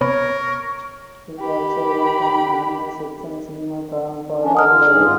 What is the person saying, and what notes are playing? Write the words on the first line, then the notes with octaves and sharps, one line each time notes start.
He also wrote an annual "Sex and Cinema" column for "Playboy".
C3 B3 A#4 C#5 C#6
G4 B5
E3 C#4 D4
A#4 D#5 F#5 D#6 F6
F4
G2 D#3 G#4
G#2 F4